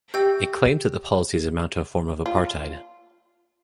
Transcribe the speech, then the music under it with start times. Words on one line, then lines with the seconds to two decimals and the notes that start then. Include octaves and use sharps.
It claims that the policies amount to a form of apartheid.
0.14 G4 E5 G5 E6 G6
2.26 F4